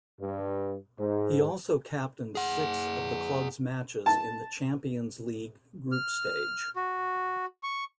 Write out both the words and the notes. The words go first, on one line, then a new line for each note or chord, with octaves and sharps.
He also captained six of the club's matches in the Champions League group stage.
G2
G#2
G#4 F#5
A5
F6
F#4
C#6